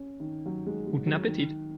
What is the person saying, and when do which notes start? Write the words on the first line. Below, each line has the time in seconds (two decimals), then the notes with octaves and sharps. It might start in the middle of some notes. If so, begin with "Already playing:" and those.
Guten Appetit!
Already playing: C#4
0.20 D#3
0.46 F#3
0.66 G#3
0.87 G#3
1.07 F#3
1.27 D#3